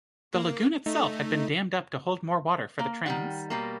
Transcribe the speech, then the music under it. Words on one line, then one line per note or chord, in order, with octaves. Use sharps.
The Lagoon itself had been dammed up to hold more water for the trains.
A#3
A3 D#4
A#3
D#3 G3 F#5
B2 G3 A#3